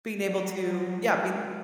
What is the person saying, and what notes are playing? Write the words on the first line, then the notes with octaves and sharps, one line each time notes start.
being able to, yeah, being
F#3
G#3